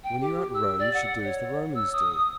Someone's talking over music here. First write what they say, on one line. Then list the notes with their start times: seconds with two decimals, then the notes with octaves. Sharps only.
When you are at Rome you should do as the Romans do.
0.04 G5
0.21 G4
0.54 E6
0.79 D5
0.94 F#5
1.24 C#5
1.75 E6
1.93 D#6